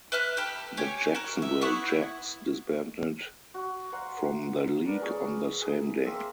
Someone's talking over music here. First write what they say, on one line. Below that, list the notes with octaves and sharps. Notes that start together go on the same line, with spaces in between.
The Jacksonville Jacks disbanded from the league on the same day.
B4 E5 F6 F#6
G4 A4 B5
G4 C#5 G#5
F#4 A#4
E5
B3 E4 F#5 C#6
F#4
F5 F#5 A#5 C6
D4 A#4 B4
G#4 C#5
E4 G#4
A#3 C4 E5